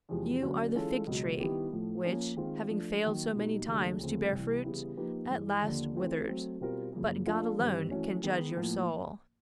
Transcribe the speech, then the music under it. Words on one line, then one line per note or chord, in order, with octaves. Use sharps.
You are the fig tree which, having failed so many times to bear fruit, at last withered, but God alone can judge your soul.
E2 C3 F3 G#3
D3 F#3 A#3 C#4 F#4
E3 G#3 C#4 F4 A4
C#2 B2 F#3
D#3 G3 B3 E4 G4
A2 F3 A3
F3 A#3 C#4
D#3 G#3 C4 F4
F3 A3 D4
D#3 F#3 A#3
B2 G3 A#3 D#4
D#2 C#3 F#3 A3 D4
D2 C#3 F3 A3 C4
C2 C3 E3
C#3 E3 G3 B3 E4
F3 A#3 D#4 G4 B4
G2 E3 G#3
D#2 D3 F3 A#3
E3 A3 C4 F4 A4
F#3 A3 C4
B2 G3 C4 F4 A#4
F#2 C#3 F3 A#3
F3 A#3 D4 F4 A4
G2 D#3 G3 C4
E3 A3 C#4 F#4 A4
D#3 G#3 B3 D#4
A2 F3 A#3